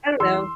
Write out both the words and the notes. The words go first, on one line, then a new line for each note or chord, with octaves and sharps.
I don't know.
E2 C6 E6